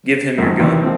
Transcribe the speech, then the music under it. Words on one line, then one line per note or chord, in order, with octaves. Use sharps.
Give him your gun.
G#1 F#2
D#2 C3 E3
D#3 F3 C4